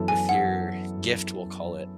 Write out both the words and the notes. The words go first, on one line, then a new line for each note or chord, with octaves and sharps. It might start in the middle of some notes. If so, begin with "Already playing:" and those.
with your gift, we'll call it?
Already playing: F#2 E3 B3 F#4 A4
G#5
F#5